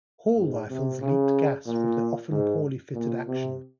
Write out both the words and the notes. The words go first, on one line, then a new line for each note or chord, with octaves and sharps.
Hall rifles leaked gas from the often poorly fitted action.
G#2
C3
C#3
A#2
G#2
A#2
C3